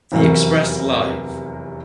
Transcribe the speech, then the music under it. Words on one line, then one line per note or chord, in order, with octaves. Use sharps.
The Express Live!
F1 E2 C3 F#3 A#4